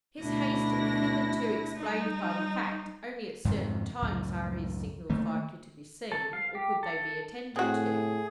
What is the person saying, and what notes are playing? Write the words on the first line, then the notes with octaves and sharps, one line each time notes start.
His haste hitherto explained by the fact, only at certain times are his signals likely to be seen, or could they be attended to.
D2 B2 D4 E4 A#6
G3 D#4
F2 G#2 C3 D#3
C#2 F#2 A2
D#3 A3 A#3
A4
F5
G4
A4
A2 C4 F#4 G#4